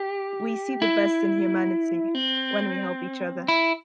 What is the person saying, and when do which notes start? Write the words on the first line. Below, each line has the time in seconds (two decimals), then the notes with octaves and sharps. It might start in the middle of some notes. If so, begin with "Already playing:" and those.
We see the best in humanity when we help each other.
Already playing: G4
0.82 E4
2.15 C4
3.48 E4